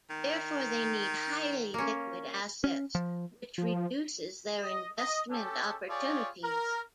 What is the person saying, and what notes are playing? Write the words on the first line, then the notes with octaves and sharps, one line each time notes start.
Therefore they need highly liquid assets which reduces their investment opportunities.
D#3
A#3 C#4
C#4
F3
F3
D#5
D#5
C#4 G4 A4
F4 G4 G#4 C#5 D5
A#4